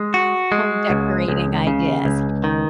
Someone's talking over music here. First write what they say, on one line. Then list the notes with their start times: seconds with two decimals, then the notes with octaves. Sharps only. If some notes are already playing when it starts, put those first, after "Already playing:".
home decorating ideas Yeah,
Already playing: G#3
0.14 F#4
0.52 G#3
0.90 C#2
1.28 C#2
1.67 C#3
2.05 C#2
2.44 D#3